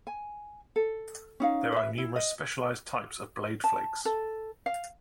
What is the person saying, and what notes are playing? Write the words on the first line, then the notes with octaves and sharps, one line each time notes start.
There are numerous specialized types of blade flakes.
G#5
A4
C#4 D#4 F5
B4 E5
E4
D#5
A5
A4
F5